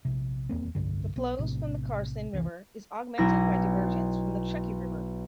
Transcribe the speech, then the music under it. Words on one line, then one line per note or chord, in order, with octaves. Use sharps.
The flows from the Carson River is augmented by diversions from the Truckee River.
A#1 C3
D#1 E2 A#3 C4
F1 C2 G2 D3
B1 B3
A#1 A2 C3
F1 C2 C#3 E3
B1 E4 A#6